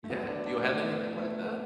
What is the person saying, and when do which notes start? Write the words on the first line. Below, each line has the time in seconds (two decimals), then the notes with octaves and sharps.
Yeah. Do you have anything like that?
0.04 A3
0.10 D2 D3 F#3 B3
0.28 D4
0.46 D4
0.64 A3
0.82 B3
1.18 A3